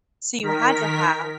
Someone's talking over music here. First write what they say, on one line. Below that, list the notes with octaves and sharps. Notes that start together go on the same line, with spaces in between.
so you had to have
D#3 A#4 B6